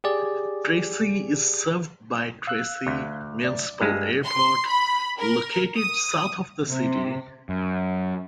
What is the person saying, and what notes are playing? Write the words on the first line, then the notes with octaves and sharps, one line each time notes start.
Tracy is served by Tracy Municipal Airport, located south of the city.
G4 G#4 D5
F5 E6 F#6
D2
D5
G2 G#3
C6
B5
A#4
D#6
C3
F#2